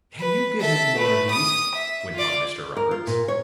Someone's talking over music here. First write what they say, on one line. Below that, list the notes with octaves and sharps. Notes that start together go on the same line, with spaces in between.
"Can you get any more of these?" went on Mr. Roberts.
B4
A4 E5
A3 B4
D#6
E5
F4 D5
A#4
F4
A#2
C#5